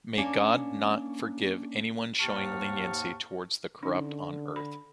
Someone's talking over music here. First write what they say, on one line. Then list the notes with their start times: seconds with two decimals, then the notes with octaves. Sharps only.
May God not forgive anyone showing leniency toward the corrupt on Earth.
0.17 A#3 C#4 D4
2.20 D#2 G#2 G4 A5 C#6 F6
3.83 D3 C#4 D#4
4.56 B5